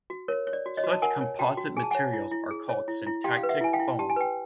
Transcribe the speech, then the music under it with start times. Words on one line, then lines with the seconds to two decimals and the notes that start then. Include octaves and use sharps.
Such composite materials are called syntactic foam.
0.10 F#4
0.28 A#4 C#5
0.47 C#5
0.53 D5
0.66 F#4
0.77 C#5 D#5
0.84 F#4
0.93 A5
1.02 A#4 F#5 G#5
1.21 C#5
1.39 F#4 G5 A5
1.57 F#4
1.77 G#4 G#5
1.83 A5
1.91 C#5 F#5 G#5
2.13 E4
2.32 E4
2.51 G#4
2.69 C#5
2.88 E4
3.06 E4
3.24 G4 F5 G5
3.37 F5
3.43 B4
3.49 E5 F#5
3.61 E4 G#5
3.73 F5 G5
3.79 E4
3.99 G4 A5
4.10 G#5
4.16 B4 G5